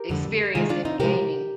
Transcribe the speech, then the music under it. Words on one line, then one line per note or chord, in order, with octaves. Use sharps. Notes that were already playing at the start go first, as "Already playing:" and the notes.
experienced in gaming
Already playing: G4 A#4
F2 D3 G3
C3 D#3 G#3 F4 G#4
D4 F4
C4 D#4
C3 F3 G#3 G4 A#4